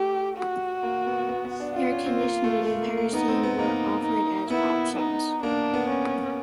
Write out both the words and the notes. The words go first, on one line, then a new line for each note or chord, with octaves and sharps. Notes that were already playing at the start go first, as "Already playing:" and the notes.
Air conditioning and power steering were offered as options.
Already playing: A3 G4
F#4
A#3
B3
B3
B3
D4
D4 F4
C#4
C4
A#3
A3
A3
A#3
A#3
B3 D#4
C4
B3
A#3 D#4
D#4
B3 E4
D#4
A#3 D4
B3
C#4